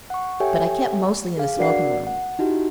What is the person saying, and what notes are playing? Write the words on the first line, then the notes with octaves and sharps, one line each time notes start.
But I kept mostly in the smoking-room.
F#5 C#6
G4 A4 C#5 E5 G5 G#5
G#4 F5
D4 F#4 A#4 D5 F#5 C7
F#5
D#4 E4 F#4 G4